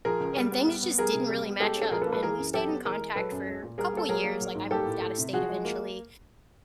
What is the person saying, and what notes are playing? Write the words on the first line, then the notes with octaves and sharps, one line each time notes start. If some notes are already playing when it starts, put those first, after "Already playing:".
and things just didn't really match up, and we stayed in contact for couple years, like I moved out of state eventually,
F3 G#4 A#4
C#2
G3
B3
G3
B3
G3 G#4 A#4
C3
G3
B3
G#3 G4 A4
C#4
A4
F3 G#4 A#4
A4 B4
A#3
A4 B4
E3 G#4 A#4
F#2
F#3 G4 A4
B3
E3 G#4 A#4
G#3
F#3 A4 B4
F#2
G#3
A#2
G3 G#4 A#4
A#3 A4
F#3 G#4 A#4
A#3
F#3
G#2
A#3 G4 A4
A2
A3
C3
F3 F#4 G#4
G#3
A#3